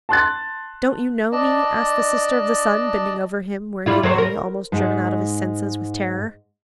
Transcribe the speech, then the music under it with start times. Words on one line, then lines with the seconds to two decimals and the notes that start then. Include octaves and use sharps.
'Don't you know me?' asked the Sister of the Sun, bending over him where he lay, almost driven out of his senses with terror.
0.09 A5 C6 F#6 A6
1.32 D4 D5 D#5 A5
3.86 G3 E4 F4
4.03 F#3 C4 C5
4.18 A#4
4.72 G#2 G#3